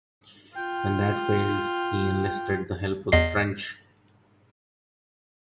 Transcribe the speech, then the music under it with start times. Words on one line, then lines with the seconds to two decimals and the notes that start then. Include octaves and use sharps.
When that failed, he enlisted the help of the French.
0.55 F4 G5
3.12 E2 D#5 C7